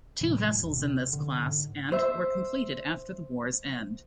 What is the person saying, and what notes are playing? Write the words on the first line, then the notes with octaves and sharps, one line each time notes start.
Two vessels in this class- and -were completed after the war's end.
A2 C3 E3 G3
E1
C3
D3
G#2 D3
C5 E5